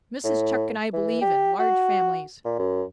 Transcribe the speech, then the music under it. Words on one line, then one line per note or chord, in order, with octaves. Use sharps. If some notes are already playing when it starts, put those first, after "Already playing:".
"Mrs. Chuck and I believe in large families."
A2
E3
G4
F#4
A#2
F#2